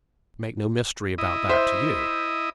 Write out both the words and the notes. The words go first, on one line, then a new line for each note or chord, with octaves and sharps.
I make no mystery about that to you.
E4 D#5
C5 E5